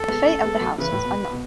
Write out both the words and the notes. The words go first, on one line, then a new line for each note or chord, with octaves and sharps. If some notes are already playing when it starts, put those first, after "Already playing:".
The fate of the house is unknown.
Already playing: A4
G#3 B3
A3 C#4
G#3 B3
B3
F#3 A3
C#3 E3 B4
A2
B2
B2